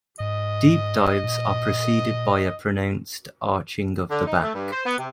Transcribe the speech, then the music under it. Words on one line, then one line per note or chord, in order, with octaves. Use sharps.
Deep dives are preceded by a pronounced arching of the back.
G#2 D#5
A#2
D3
D#4
A3
G2
C5
B3
C3